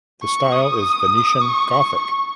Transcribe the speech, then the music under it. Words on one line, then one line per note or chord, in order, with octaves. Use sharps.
The style is Venetian Gothic.
C#6
D#6
C#6
C#6